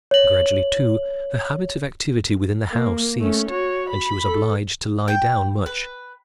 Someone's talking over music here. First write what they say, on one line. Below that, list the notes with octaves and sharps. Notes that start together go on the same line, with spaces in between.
Gradually, too, her habits of activity within the house ceased, and she was obliged to lie down much.
C#5 F#7
A#3
A3 C#4
F#4 C#5
B5
A4
G5
B4